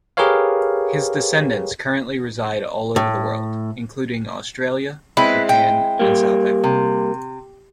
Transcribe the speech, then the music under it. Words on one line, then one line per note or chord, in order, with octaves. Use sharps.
His descendants currently reside all over the world, including Australia, Japan and South Africa.
G4 G#4 A#4 B4 C#5 F5
A2
G#3 C4 E4 B4
G5
G3 A#3
C3